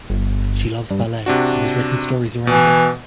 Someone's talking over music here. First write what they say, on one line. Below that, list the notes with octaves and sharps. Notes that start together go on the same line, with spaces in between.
She loves ballet, and has written stories around it.
G1
G2
C3 D4 F#4
B2 E3